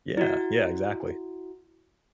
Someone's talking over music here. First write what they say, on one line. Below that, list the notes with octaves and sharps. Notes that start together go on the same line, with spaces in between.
Yeah, yeah, exactly.
E4 F#4